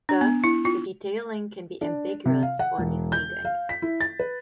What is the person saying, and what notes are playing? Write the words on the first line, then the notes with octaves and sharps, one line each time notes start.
Thus, the detailing can be ambiguous or misleading.
D4
B3
E4
F4
D4
C3
F5
F#5
E1
G6
F5
B6
E4
A6
B4